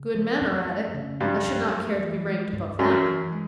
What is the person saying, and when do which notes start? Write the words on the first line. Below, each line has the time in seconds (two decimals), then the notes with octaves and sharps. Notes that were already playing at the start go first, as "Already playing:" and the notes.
"Good men are at it; I should not care to be ranked above them."
Already playing: C#3
0.15 F3
0.41 F#2
0.68 A3
0.94 C#3
1.20 G2 F3 G3
1.47 F#2
1.73 A3
1.99 E3
2.26 G#3
2.53 G2
2.79 F#2 F#3 C#4
3.05 E3
3.32 G#3